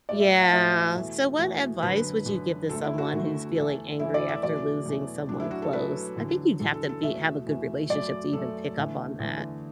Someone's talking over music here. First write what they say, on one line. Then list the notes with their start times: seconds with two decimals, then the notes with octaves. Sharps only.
Yeah. So, what advice would you give to someone who's feeling angry after losing someone close? I think you'd have to be have a good relationship to even pick up on that.
0.09 A2 F#3 A3 D5
0.20 E5
0.31 F#5
0.42 F#5
0.52 A2 F#3 A3 E5
0.96 E2 B2 A3
1.39 E2 B2 A3
1.83 F#2 D3 F#3 B4
2.26 F#2 D3 F#3
2.69 D2 D3 A3 A4
2.84 E4
2.98 F#4
3.13 D2 D3 A3
3.56 E2 E3 A3 A4
3.99 E2 E3 A3 E4
4.14 D5
4.28 E5
4.43 E2 B2 F#3 A3 D5
4.86 E2 B2 F#3 A3
5.29 F#2 F#3 A3 D4
5.40 E4
5.51 F#4
5.62 A4
5.73 F#2 F#3 A3 B4
6.16 E2 D3 F#3
6.60 E2 D3 F#3 A4
6.74 A4
6.89 A4
7.03 E2 B2 A3 E5
7.47 E2 B2 A3
7.90 F#2 F#3 A3 D5
8.33 F#2 F#3 A3 A4
8.76 E2 D3 A3
9.20 E2 D3 A3